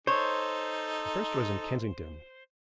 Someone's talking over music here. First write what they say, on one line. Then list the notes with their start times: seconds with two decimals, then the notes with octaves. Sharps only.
The first was in Kensington.
0.07 D#4 A4 C5 C#5